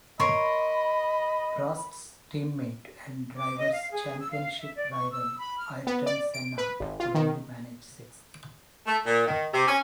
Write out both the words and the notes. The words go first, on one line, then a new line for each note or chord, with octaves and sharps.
Prost's teammate and Drivers' Championship rival, Ayrton Senna, could only manage sixth.
A#4 C#5 D#5 B5 C6
D6
D#5
F5
G#4
E6
F5
E5
D5
C#6
E6
B5
F6
B3
D5
D7
B4
G#1
F4
D#3
A3
A#2
D#3
C3
C#4